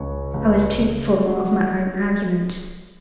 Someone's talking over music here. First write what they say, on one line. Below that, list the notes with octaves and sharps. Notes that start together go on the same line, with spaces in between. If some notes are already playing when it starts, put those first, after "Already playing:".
I was too full of my own argument.
Already playing: C#2 C#5
C#2
C#3
F#3